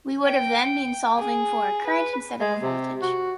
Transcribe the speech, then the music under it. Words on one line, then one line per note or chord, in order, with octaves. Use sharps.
We would have then been solving for a current instead of a voltage.
G5
G#4
B4
G#3
C3
F#4